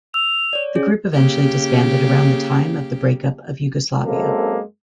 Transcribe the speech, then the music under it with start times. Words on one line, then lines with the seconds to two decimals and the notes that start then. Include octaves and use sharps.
The group eventually disbanded around the time of the Breakup of Yugoslavia.
0.14 E6 F7
0.53 C#5 D5
0.75 C#4 G#4
1.14 C#3 A#3 G4
4.04 F#2 G#3 A#3 C4 A4